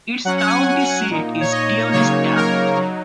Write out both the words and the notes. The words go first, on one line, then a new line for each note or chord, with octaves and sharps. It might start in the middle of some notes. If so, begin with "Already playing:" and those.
Its county seat is Tionesta.
F#3 C#4 F#5
F#5
G#5
F#5
G#5
F#5
A#2 A#3 D#4
C#5
D#5
C#3 F#3 A#3 D#4 C#5
A#4
F#3 D#4